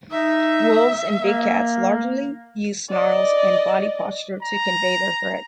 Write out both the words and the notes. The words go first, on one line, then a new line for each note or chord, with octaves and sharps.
Wolves and big cats largely use snarls and body posture to convey their threat.
D#4 E5
A#3
D5 D#5
A#5